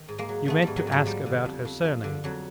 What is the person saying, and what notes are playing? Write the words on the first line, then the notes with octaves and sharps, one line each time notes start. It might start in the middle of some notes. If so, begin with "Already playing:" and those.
You meant to ask about her surname.
Already playing: D#3
G#2
G#3 A#3
F#3
D#3 A3 B3
G#2 G3
F#3 G#3
G#2 F#3
F3 G3
D3
F2
F2
F3
D3
F2 F#3